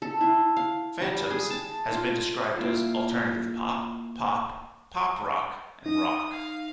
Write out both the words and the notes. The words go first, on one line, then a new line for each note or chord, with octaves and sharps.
"Phantoms" has been described as alternative pop, pop, pop rock, and rock.
A4
E4
F5
G3
G#4
A5
F4
A#3 E4 F4
D#4 D#6
F5